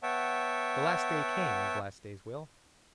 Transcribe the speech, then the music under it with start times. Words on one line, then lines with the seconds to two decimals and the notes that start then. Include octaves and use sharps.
The last day came, as last days will.
0.03 B3 C#5 E5 F#5 G5 A5